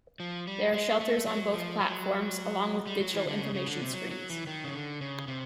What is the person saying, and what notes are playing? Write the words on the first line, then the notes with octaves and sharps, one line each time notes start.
There are shelters on both platforms, along with digital information screens.
F3
G3
G#3
A3
F#3
F3
F#3
G3
F#3
E3
D3
C#3
C#3
D3
C3
F#3
F#3
E3
D#3
C#3
D3
C#3
C3